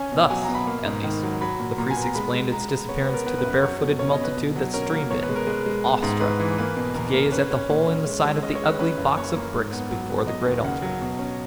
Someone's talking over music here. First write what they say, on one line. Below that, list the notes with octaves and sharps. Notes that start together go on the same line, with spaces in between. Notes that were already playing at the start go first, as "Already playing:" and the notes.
Thus, at least, the priests explained its disappearance to the barefooted multitude that streamed in, awestruck, to gaze at the hole in the side of the ugly box of bricks before the great altar.
Already playing: C#4 G#5
B2
F#3 G#5
A#5
B2
B5
A#3
G#2
D#3
F#3
F#3 B5
A#2
A#2 A#5
G#5
B3
A#5
G#3 B5
G#3
G#3 A#5
G#3
B3 C#5
B4
B3
A#4
B3 B4
B4
F#2
B4
F#3 C#5
B2
C#4 C#5
D#5
B2 B4
B2
F#3
C#4 A#4
A#3
B2 C#5
B4
G#3
A#4
G#3 B4
G#3
B3
G#2
G#2 B4
E3
A#3 B4
B2
E2 A#4
A#3
C#4 B4
C#4
A#2
C#4
G#3
G#3
C#4 D#5
C#5
G#3
B4
C#4 B4
F#2
A#3 C#5
A#3
G#2
B3
F#3
B3
F#3 D#5
D#2
C#3 F#5
F#3
B2
C#4